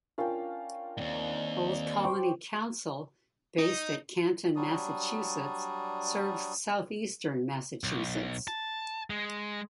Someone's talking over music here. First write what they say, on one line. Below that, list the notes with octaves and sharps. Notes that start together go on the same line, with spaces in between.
Old Colony Council based at Canton, Massachusetts serves southeastern Massachusetts.
C#4 D4 F4 A#4 F5 G5
D#2 G#2 C4 D5
F#3 C5 G5 C#6 D6
D#4
F#3 G3 D4 D#6
B1
A5
G#3